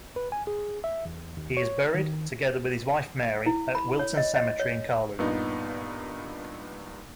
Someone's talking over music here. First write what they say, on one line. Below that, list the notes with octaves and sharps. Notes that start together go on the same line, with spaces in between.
He is buried, together with his wife Mary, at Wilton Cemetery, in Carluke.
B4
G#5
G#4
E5
E2
D#2
C#5
D#3
E4
B5
C#5
D#5
D#5
C#5
G2 A#2 B3 D#4